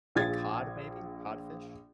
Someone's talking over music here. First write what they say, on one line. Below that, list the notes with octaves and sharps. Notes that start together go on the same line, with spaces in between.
Like cod maybe, codfish?
A#1 F4 G#4 G#6 A6